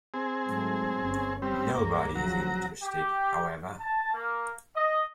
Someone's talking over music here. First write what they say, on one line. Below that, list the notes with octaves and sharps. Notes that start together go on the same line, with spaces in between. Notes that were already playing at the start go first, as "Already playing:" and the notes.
Nobody is interested, however.
C4 G#4
G#2 F#3 A3
G1 C#4
G3 C4
C#2 G2 A#3
C#3 F3 F#3 A#5
G4
A5
A#3
D#5